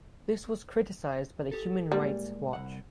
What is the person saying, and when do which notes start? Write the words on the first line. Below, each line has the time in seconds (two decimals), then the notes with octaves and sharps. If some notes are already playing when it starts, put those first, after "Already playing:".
This was criticized by the Human Rights Watch.
1.51 G4 A4
1.92 A2 G3 G#3 A#3
2.53 C2 F#5